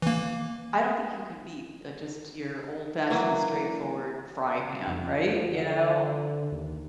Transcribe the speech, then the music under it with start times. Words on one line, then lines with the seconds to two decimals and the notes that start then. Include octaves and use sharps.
I don't think you can beat uh, just your old fashioned straightforward fry pan, right? You know?
0.02 E3 A#3
3.10 E3 F#3 A#3 F#4
4.87 F2
5.27 F3
5.53 D3
6.52 D#2